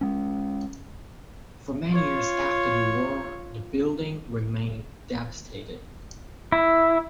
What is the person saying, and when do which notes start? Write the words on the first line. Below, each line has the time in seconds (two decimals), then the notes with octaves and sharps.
For many years after the war the building remained devastated.
0.01 G#3 C#4
1.90 F4 C#5
6.52 E4